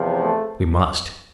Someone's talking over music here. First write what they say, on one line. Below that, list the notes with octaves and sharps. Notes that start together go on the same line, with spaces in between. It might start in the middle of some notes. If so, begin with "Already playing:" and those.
We must.
Already playing: E2 C3 F3
A3